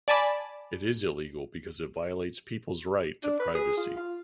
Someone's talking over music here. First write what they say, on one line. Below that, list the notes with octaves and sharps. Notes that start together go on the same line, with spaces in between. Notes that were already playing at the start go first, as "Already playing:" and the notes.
It is illegal because it violates peoples' right to privacy.
D5 G#5 A5 B5 D6
D4
B4
G#4
F4
F4